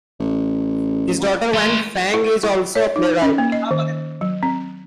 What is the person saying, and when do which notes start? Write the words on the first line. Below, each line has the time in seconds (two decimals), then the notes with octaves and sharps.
His daughter Wan Fang is also a playwright.
0.20 A1
1.54 A3 C6
2.14 E4
2.43 E4
2.75 C#5
2.96 D#4
3.22 C#4
3.38 A#3
3.52 D#5
3.71 D#3
4.21 F#3
4.43 C4